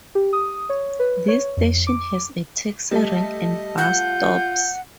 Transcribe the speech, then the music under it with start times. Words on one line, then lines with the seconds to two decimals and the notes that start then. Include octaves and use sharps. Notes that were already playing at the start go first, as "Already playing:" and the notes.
This station has a taxi rank and bus stops.
0.15 G4
0.33 D#6
0.69 C#5
0.99 B4
1.28 C#5
1.57 F2
1.87 D6
2.91 G3 A3 D#5
3.78 F4 F#5 G6